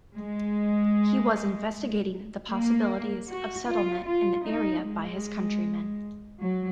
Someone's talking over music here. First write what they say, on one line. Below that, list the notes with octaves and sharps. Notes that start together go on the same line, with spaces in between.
He was investigating the possibilities of settlement in the area by his countrymen.
G#3
A#3
F#4
F4
F4
D#4
G#3
F#3